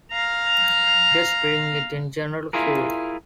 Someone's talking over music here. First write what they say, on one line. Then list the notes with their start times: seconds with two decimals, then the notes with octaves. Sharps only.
Just bring it in general, fool!
0.12 F5 A#5
2.53 E4 F4 G#4 A#4